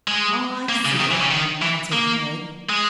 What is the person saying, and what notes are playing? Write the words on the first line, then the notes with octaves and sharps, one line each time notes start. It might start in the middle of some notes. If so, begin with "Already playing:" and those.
'I see it,' answered Peg.
G#3
A#3
C#3
D#3
E3
C#3
D#3
E3
A#3
G#3